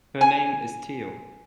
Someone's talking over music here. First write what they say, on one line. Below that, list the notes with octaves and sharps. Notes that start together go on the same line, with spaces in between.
Her name is Teo.
G#5